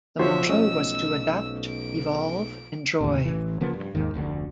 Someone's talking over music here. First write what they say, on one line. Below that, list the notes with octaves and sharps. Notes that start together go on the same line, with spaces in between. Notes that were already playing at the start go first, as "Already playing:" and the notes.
The motto was to Adapt, Evolve, Enjoy!
B1 F3 F#4 C5 C#5 E5
A3 C#4 D#5 E6
D7
D#2 A2 C3
A1 E3
C#3 F3 A#3 B3
G2
D#2 G#2 D#3
F1 D2 G#2 D3